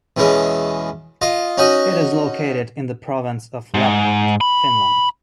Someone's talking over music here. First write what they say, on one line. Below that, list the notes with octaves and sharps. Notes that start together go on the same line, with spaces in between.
It is located in the province of Lapland, Finland.
E2 B2 E3 G#3 C#4
F4 D#5
C#4 D#4 F#4 D#5
G#2
B5